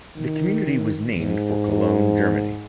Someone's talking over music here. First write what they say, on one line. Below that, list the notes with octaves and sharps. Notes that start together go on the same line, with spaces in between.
The community was named for Cologne, Germany.
D#3
G#2